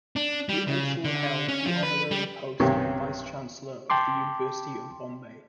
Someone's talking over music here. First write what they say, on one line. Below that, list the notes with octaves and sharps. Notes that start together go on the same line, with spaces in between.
He also held the honorary post of Vice Chancellor of the University of Bombay.
D4
G3
C#3
D3
C#4
F3
B4
G3
B1 G2 C3 D#3 C#4 G4
G5 A5 C6 D6